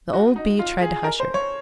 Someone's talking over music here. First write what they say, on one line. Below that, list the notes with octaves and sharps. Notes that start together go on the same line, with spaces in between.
The old Bee tried to hush her.
F#4
D#4
F4
G#4
A#4
C5
C#5